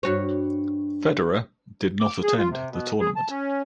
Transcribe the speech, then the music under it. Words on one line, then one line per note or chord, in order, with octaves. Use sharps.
Federer did not attend the tournament.
G2 F#4 C#5
D6
G#4
F4
C3
B2
G#4
A5
C#4